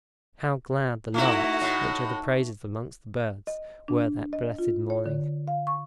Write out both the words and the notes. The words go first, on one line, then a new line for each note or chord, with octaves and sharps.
How glad the larks, which are the praisers amongst the birds, were that blessed morning!
A3 D#4 E4 F#4
A2
D#5
D4
D#5
F4
C#5
D3
F5
C#6